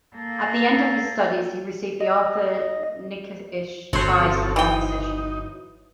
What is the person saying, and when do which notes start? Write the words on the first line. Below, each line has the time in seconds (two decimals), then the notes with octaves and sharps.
At the end of his studies he received the Arthur Nikisch Prize for composition.
0.16 A#3 A4
2.01 D#5
3.93 G1 F#3 C4 A4 C5 C#5
4.56 E3 D#4 G5